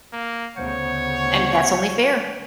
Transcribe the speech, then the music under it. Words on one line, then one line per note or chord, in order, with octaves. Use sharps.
And, that's only fair.
A#3
D2 C#3 B3 C5 C#5 F#5